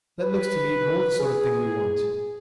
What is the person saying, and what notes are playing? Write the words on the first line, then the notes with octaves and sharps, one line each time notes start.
That looks to me more the sort of thing we want.
B4
G#4